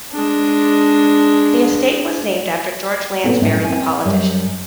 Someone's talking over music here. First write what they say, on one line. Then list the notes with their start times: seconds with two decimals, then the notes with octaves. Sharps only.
The estate was named after George Lansbury the politician.
0.13 G#3 D4
3.24 A#2 B3 C4 A4 G5
3.42 F#2 A2 C#4 D#4
3.64 C4 G#5
4.04 F#2 G3 D#5